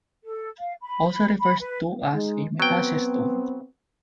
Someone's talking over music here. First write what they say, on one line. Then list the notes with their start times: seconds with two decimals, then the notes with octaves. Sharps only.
Also referred to as a metacestode.
0.24 A4
0.59 F5
0.81 B5
1.39 B5
1.59 B4
2.12 G#3 D#4
2.60 F#3 B3 C4 G5